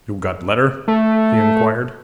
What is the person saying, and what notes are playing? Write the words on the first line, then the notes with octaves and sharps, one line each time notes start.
"You got letter?" he inquired.
A3